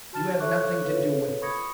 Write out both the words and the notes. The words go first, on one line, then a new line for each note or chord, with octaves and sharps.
You have nothing to do with it.
F#4 A5 F6 A6 E7
A4 C#5 E5 C#6 D6 F#6
F4 A4 B4 C#5 F5
B5 C#6 D#6 G#6 A#6 C#7